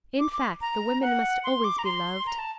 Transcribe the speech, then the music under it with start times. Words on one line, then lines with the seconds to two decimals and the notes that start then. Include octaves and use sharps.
In fact, the women must always be loved.
0.19 D6
0.33 D6
0.61 A#5
1.02 F#5
1.44 C6
1.64 D6
1.78 A#5
1.85 C6
2.26 A#5
2.39 A5